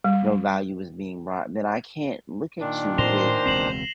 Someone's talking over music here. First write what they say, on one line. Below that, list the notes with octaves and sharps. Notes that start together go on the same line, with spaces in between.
no value is being brought, then I can't look at you with
G3
A#2 D#3 D4
A2 C5 A#6 F7 G7
E1 C#2 C4 C7 E7 F#7